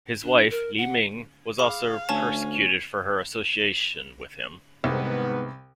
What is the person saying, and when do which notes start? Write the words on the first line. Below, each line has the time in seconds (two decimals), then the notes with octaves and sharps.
His wife, Li Ming, was also persecuted for her association with him.
0.23 D4
0.51 A#4
0.78 F#5
1.58 G#4 F5 B5 D6
2.09 D2 C#4 A5 E7
4.84 C2 G#2 D#3 B3